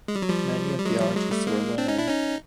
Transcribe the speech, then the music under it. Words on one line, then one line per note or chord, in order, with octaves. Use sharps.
Many of the artists were women.
G#3
G3
F#3
F3 G3
G3
F#3 G#3
F3 G3
F#3 G#3
G3 A3
G#3 A#3
C4 D4
C#4 D#4
D4 E4
C#4 D#4